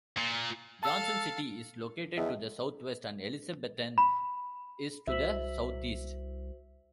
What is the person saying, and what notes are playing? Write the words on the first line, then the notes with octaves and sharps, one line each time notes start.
Johnson City is located to the southwest, and Elizabethton is to the southeast.
A#2
A4 F5 A5 E6
E2 D#5 E5 G5 A5
B5
C2 F#4 C5 E5 F#7